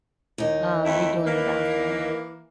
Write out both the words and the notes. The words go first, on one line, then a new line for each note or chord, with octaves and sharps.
um, redoing the bathroom
D#2 D#4
F2 A3 E4
E3 A#3